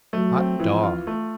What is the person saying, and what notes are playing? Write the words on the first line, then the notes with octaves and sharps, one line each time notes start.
Hot dog!
F#3 A3
C4
E3 F3
F4
A3